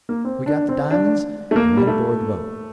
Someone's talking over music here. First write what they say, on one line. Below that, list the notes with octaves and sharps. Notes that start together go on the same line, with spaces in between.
We got the di'monds and went aboard the boat.
A#3
C4
D4
C4
D4
A3
A#3
G3
A3